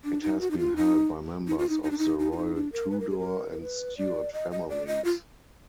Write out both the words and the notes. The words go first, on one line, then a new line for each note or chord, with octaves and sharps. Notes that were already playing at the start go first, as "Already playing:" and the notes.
It has been held by members of the royal Tudor and Stuart families.
D4
D#4
F#4
D#4
F4
D#4
D#4
F4
D#4
D#4
D4
D#4
D#4
F4
D#4
D4
A#4
B4
A#4
G#4
A#4
A#4
B4
D5
D#5
D#5
D5
D#5
F4